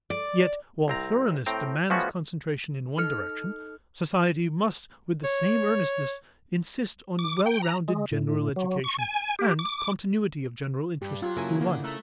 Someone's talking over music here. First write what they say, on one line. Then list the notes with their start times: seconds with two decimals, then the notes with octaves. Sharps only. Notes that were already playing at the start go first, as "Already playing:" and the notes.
Yet while thoroughness demands concentration in one direction, society must with the same earnestness insist on well-rounded general education and continuity of general interests through life.
0.10 D5
0.88 C2 C4 A#5
1.46 A2 C4 G5 A#5
1.90 F3 G3 A3 B3 C#4 F#4
2.98 D#4 A4 F6 C#7
5.24 C#5
7.19 D6
7.46 G5
7.62 A#5
7.88 G#3
8.11 A2
8.56 F#3
8.84 C#6
8.98 G#5
9.39 G4
9.59 D6
11.02 G2 G4
11.22 F#3 F4 G4
11.36 C#3 A#3 E4 A4 A#4 G#5
11.60 D3 A#3
11.84 A3 A#5 E6 F#6